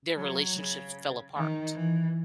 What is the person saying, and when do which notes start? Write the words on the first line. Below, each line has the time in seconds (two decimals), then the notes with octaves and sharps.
their relationships fell apart
0.17 F#3
0.57 C#3
1.36 D#3
1.76 E3